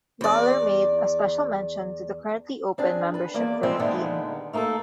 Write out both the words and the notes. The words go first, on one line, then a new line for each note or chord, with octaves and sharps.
Dollar made a special mention to the currently open membership for the team.
E2 D5
C4 D4 G#4
B4 A5
E2 A#3 D5
D3 E3 G3 G#3 C4
A#2 D3 D#3 G3 G#3 B3
A3 A#3 D#4 E4 A4